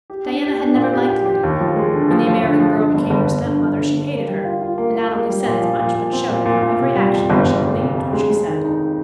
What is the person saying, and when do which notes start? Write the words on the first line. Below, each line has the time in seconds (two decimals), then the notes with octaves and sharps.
Diana had never liked Lydia; when the American girl became her stepmother she hated her, and not only said as much but showed in her every action that she believed what she said.
0.10 G4
0.26 D4
0.43 G4
0.59 D4
0.75 A#2
0.93 G4
1.10 G4
1.26 G4
1.43 D#2
1.60 F3
1.76 G#3
1.94 D3
2.11 F3
2.27 F3
2.43 D3
2.60 F3
2.77 D3
2.94 G1
3.10 G1
3.27 G1
3.45 D3
3.62 G1
3.78 D3
3.95 D3
4.11 A#3
4.27 G3
4.45 F4
4.62 F4
4.78 A#3
4.96 F4
5.12 A#3
5.29 G3
5.45 A#2
5.62 F3
5.79 A#2
5.95 A#2
6.12 C4
6.29 A#2
6.45 A#2
6.62 A#2
6.79 C3
6.96 G3
7.13 F2
7.30 G1
7.46 G1
7.64 G1
7.80 C3
7.96 F2
8.13 G#3
8.30 G#3
8.47 D#3
8.64 D#4
8.81 D#4